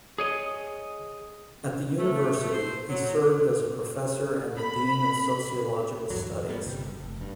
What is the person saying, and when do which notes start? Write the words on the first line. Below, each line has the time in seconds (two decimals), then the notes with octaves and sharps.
At the university, he served as a professor and the dean of sociological studies.
0.18 G#4 C#5 D#5
1.98 A3
2.53 C5
2.89 F#3
4.56 B5
6.10 E2 G2 F#3
6.48 G3 A#3 B3
6.65 G1 C3 G3
6.86 F#1
7.04 F1
7.21 G2